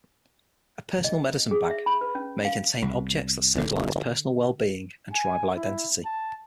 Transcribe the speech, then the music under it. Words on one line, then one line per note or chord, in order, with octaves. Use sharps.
A personal medicine bag may contain objects that symbolize personal well-being and tribal identity.
D#5
G#4
E5
B5
B4
C#4
F5
C2
D3
G#5
E4
A5